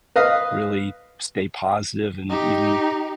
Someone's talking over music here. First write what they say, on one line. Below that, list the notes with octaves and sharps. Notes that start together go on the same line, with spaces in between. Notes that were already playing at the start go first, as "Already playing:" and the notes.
really stay positive and even,
B4 D#5 F5
D#4 G4